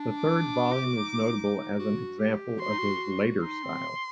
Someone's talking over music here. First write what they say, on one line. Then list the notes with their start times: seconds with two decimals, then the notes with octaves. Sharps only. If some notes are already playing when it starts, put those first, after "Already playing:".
The third volume is notable as an example of his later style.
Already playing: D4
0.15 D6
0.72 G4
0.84 F#4
0.96 D#4
1.79 F#4
2.19 G4
2.60 F#4 C6
2.69 D#4
2.78 F#4
3.42 D#4 C6
3.63 C4